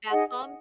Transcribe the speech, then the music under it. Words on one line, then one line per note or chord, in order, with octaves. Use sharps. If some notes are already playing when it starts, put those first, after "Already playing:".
Bath bombs.
D#4 G#4 D#5 F#5